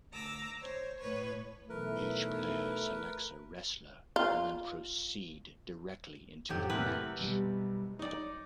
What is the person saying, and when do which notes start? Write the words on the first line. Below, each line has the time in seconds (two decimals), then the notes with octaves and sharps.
Each player selects a wrestler and then proceed directly into the match.
0.12 D2 A#5 D6 E6
0.60 C5 C#5
0.98 A2 B4 C#5
1.70 B1 E3 A3 E4 A#4 B4
4.16 F4
6.49 F2 A2 F#3 D#4 G4
6.70 C3 E3 A3 A#3 A#4 B4
7.19 B2 G3
7.99 D#4 C#5 D5